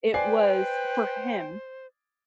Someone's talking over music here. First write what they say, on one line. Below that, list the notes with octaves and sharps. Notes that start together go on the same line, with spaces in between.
it was for him,
B4 C5 D5 G5 G#5 C7